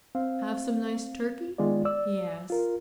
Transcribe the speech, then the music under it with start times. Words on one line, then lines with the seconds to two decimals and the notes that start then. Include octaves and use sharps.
"Have some nice turkey?" he asked.
0.15 C4 F5
1.58 D#3 G#3 B3 F4 D5
1.85 D5 E6
2.50 F4 A#4